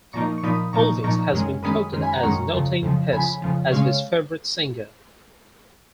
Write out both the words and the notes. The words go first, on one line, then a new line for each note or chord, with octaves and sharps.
Elvis has been quoted as noting Hess as his favorite singer.
A#2 F3 A#3 D#4 A#5 C#6
C#6
A#2 F3 A#3 D#4 B5 D#6
A#2 F3 A#3 D#4 A#5 C#6
A#2 F3 A#3 D#4 A#5 C#6
F#2 D#3 G#3 C#4
F#2 D#3 G#3 C#4 B5 D#6
F#2 D#3 G#3 C#4
G#5 B5
F#5 A#5
F#2 D#3 G#3 C#4 A#5 C#6
F2 C#3 F3
F2 C#3 F3
F2 C#3 F3 G#5 B5
F2 C#3 F3
C#3 G#3 C#4 C#5 F5